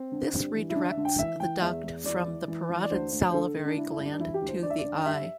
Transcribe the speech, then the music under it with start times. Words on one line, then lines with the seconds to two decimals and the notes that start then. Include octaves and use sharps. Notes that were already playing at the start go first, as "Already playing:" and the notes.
This redirects the duct from the parotid salivary gland to the eye.
Already playing: C4
0.12 D3
0.33 G2
0.55 E3
0.70 E4
0.75 D3 D4
0.91 E5
0.97 D3
1.05 G5
1.19 E3 E5
1.40 E3 G5
1.62 E2 E5
1.83 E2
2.04 E3 D5
2.26 E3
2.48 E3
2.70 E3
2.82 D5
2.90 D2 C5
3.12 D2
3.30 C5
3.34 D3 A4
3.55 D3
3.65 D4
3.77 D3 E4
3.91 E4
3.98 G2
4.06 D4
4.19 E3 E4
4.34 G4
4.41 D2
4.48 C5
4.63 D3 D5
4.70 E5
4.78 D5
4.84 D3
4.98 G5
5.05 G2 E5